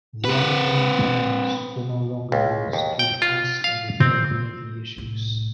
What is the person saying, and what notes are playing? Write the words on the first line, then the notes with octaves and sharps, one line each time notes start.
The aluminium panels were no longer used, due to cost and repair-ability issues.
C4 B4
C#2
D#2
G5
F4
F5
C4
C2 A2